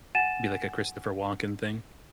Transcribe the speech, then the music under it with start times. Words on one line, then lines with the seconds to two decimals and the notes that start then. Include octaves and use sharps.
be like a Christopher Walken thing.
0.15 F#5 G#5 A6 D#7 E7